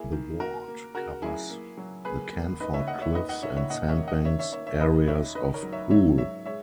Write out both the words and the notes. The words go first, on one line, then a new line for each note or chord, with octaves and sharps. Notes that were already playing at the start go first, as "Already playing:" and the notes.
The ward covers the Canford Cliffs and Sandbanks areas of Poole.
Already playing: A#3 E4 G#4
D#3
A#3 F#4 A#4
A#3
C#3 F#4 A#4
F#3 E4 G#4
A#3
F#3
A#3 G#4 B4
A#3
D#2 B4 D#5
C#5 E5
A#3 D#5 F#5
C#5 E5
D#2 B4 D#5
D#5 F#5
D#2 C#5 E5
C#5 E5
A#2 D#5 F#5
C#5 E5
A#3
D#5 F#5
D#3 C#5 E5
C#5 E5
A#3 C#5 E5
C#5 E5
D#2 B4 D#5
D#2 C#5 E5
D#3 B4 D#5
A#4 C#5
F#3
C#5 E5
F#3 C#5 E5
G#2 C#5 E5
G#3 C#5 E5